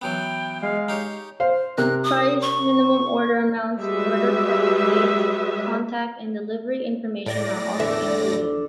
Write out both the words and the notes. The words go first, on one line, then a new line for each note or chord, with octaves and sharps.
Price, minimum order amounts, order cutoff dates, contact and delivery information are also included.
E3 F#3 B3 G5
G#3 F5
D#4 G4 C#5
C5 F5
C3 A#4 F#6
D#6
C#6
G3 G#3 F#4 B4 E5
A2 D5 A#6
E2 D3 E5